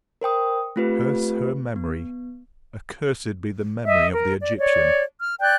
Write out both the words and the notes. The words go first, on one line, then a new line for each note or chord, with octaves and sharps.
"Curse her memory--accursed be the memory of the Egyptian."
A#4 C5 G5 D#6
A3 C4 F4 G4 B4
B3
D#5 E5
A#4
D5
C#5 D5
F6
D5 G5 F#6 G6